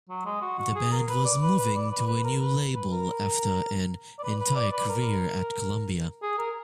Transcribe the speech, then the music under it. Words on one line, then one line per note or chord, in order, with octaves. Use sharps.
The band was moving to a new label after an entire career at Columbia.
F#3
G#3
F#4
F#4
G#4
A#4
B4
D5
B4
B4
D5
B4
B4
A#4
B4
B4
A#4
D5
B4
B4
D5
B4
A#4
G#4
A#4